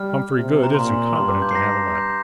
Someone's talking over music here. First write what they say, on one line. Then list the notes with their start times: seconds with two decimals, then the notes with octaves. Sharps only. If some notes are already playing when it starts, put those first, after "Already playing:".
Humphrey Goode isn't competent to handle that.
Already playing: G3 F6
0.35 C3
0.63 A#5
0.74 A#2 C6
1.15 G2 C6
1.29 D6
1.42 G6
1.51 C7
1.55 A#5 A#6
1.95 G6